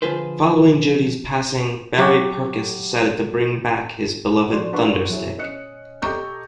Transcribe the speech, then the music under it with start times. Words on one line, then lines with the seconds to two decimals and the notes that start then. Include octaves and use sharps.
Following Jodee's passing, Barry Purkis decided to bring back his beloved Thunderstick.
0.02 D3 F3 F4 G#4 B4 C5
1.98 F#3 F#4 G4
4.51 F3 F#4 D5 C6
4.73 D4 G#4 B4 F#5 C6 C#6
5.09 F#3 E4 G#4 C#5
5.38 C#4 D#5 F#6 C#7
6.02 G4 A4 D#5 A#5 C#6 G6